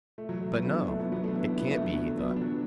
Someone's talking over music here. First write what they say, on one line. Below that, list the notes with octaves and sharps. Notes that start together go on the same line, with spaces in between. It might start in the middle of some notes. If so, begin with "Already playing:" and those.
"But no, it can't be!" he thought.
A3
F#3
A3
F#3 B3
A3 D4
B3 E4
A3 D4
F#3 B3
F#3 B3
A3 D4
B3 E4
B3 E4
B3 E4
A3 D4
F#3 B3
F#3
A3
F#3 B3
D4
F#3 B3